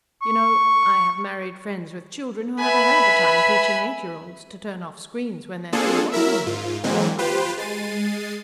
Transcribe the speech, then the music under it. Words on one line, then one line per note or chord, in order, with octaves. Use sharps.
"You know, I have married friends with children who have a hell of a time teaching eight-year-olds to turn off screens when they're through watching them," he commented.
C#6
B4 E5 G#5 B5 B6
A#3 C4 D4 F4 G#4 A4
F#3 E4 A#4 E5
G#2 F4
D3 E3 F#3 G#3 A#3 C4
F4 G4 B4 C5
G#3 A6 C7 D#7